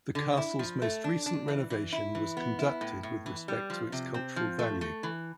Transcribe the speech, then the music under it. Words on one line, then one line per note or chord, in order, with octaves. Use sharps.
The castle's most recent renovation was conducted with respect to its cultural value.
D3
E4
F3
A3
D4
D4
E3
E3
E4
E3
B3
E4
A2
A2
E3
G3
F3
C3
C4
F3
A3
A3
E3